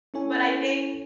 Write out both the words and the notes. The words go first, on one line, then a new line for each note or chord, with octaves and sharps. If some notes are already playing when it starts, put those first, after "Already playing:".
But, I think
C#4 E4 A4 C#5 G#5